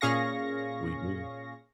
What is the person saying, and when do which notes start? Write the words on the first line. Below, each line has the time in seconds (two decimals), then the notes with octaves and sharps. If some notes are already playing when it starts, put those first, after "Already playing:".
We do.
0.01 A#2 C#4 G#4 F5 C#6 A#6